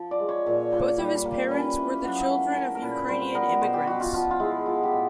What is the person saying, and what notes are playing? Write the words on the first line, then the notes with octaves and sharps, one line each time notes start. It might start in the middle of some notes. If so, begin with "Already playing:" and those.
Both of his parents were the children of Ukrainian immigrants.
Already playing: F3
D5
G#3
C#5
A#2
A#2
G3
A#3
C#4 B4
E3
F#3
A3
C#4 A#4
A#4
A#2 B4
G3 C5
B4
B3 A#4
B2 C5
G4
B2 F#4
F4
F3 F4
F4
G#3 E4
B3 F4
G4
A2